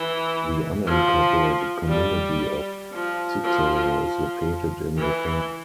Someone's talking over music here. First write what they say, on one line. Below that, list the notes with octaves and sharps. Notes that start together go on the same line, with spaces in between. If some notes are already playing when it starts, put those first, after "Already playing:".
The unincorporated community of Cicero is located in the town.
Already playing: E3
F3
G3
F3
F3
F3
E3